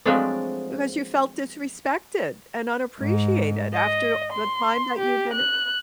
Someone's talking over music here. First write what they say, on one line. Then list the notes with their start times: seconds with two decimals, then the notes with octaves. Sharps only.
Because you felt disrespected and unappreciated after the time that you've been
0.06 F3 F#3 G#3 A3 C4 D4
3.00 G#2
3.74 D#5
4.32 C6
4.98 G4
5.32 F#6